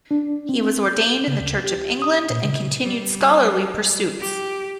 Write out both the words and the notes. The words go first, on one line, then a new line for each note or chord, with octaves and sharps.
He was ordained in the Church of England and continued scholarly pursuits.
D4
C4
G6
C#3
D2
G4
D#6
A#2
C#3
G3
G4